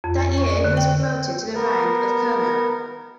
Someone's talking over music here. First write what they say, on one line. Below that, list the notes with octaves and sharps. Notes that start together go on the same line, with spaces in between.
That year, he was promoted to the rank of colonel.
F2
A6
C#6
D5
D3
G5
B3 A#4